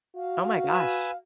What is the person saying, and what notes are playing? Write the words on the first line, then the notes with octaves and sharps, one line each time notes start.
Oh, my gosh.
F#4 F5
B4 G#5 E6